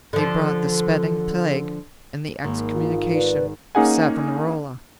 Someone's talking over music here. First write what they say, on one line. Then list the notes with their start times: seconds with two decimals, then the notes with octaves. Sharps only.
They brought the spreading Plague and the Excommunication of Savonarola.
0.13 D3 F3
2.44 G#1 A#3
2.75 F4
3.13 B4 D5
3.75 A#3 C#4 D#4 G#4 F#5 G#5